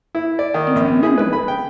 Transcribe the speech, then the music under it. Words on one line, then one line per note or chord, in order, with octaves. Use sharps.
And remember!
E4
D5
D#3
A#1
G#4
B4
B5
G5